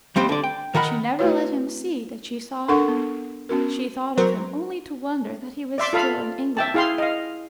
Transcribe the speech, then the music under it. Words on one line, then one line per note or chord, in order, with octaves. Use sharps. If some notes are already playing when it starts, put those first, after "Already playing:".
But she never let him see that she saw him; she thought of him only to wonder that he was still in England.
D#2 G3 C4 C5
D3 D5
G5
D#3 A#4 F#5 B5
A3 E4 F#4 B4 C#5
D4 A4 A#4 F#5 C#6
B3
B3 C#4 F#4 A#4
F#3 C4 A#4 C5
D5 E5 C6 D6
F4 A4 F5 B5
E5 G5 A5
E4 G#4 F5 G5 C6
D#5 F5